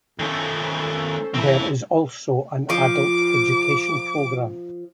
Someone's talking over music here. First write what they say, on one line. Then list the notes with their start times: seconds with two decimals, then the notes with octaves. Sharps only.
There is also an adult education program.
0.19 D#3 A3 C#4 A4 C5
1.34 E3 C4 E4 A5 B5
2.70 F3 D6